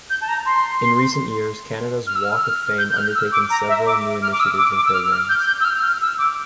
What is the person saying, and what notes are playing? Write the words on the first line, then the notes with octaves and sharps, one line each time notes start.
In recent years, Canada's Walk of Fame undertaken several new initiatives and programs.
G6
A5
A#5
C6
F6
E6
F6
F6
G6
G6
F6
E6
D6
A#5
E5
D6
F6
D6
E6
D6
D6
E6
F6
F6
G6
G6
E6
F6
F6
E6
D6